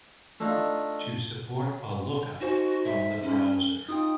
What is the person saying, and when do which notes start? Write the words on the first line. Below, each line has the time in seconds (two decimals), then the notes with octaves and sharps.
To support a lookup from the browser.
0.40 A3 D4 D#4 F4 F5
2.41 D#4 F#4 C5 G#5
2.85 E5
3.22 C#4
3.89 D#4 F4 G5 D#6